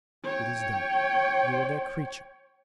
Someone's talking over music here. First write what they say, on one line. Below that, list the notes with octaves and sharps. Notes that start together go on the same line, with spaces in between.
It is done--you are their creature.
C#5 G5